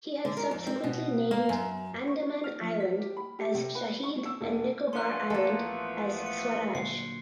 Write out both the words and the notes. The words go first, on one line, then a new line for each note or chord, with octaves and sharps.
He had subsequently named Andaman Island as Shaheed and Nicobar Island as Swaraj.
D3
A#4
F2
C4
B2
A#3
F#2
C#6
F6
F3
B6
G4
B5
G4
C3
B4
C#6
E6
E1
F3 A3 B3 D4 A4 C6 F#6
A1 A#3 A4
C#7
A#2 D3 F#3 C7